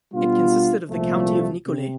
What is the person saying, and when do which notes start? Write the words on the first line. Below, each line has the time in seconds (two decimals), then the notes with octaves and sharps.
It consisted of the County of Nicolet.
0.12 B2 G3 B3 D4 F4
0.90 C2 A#2 F3 A3
1.67 C3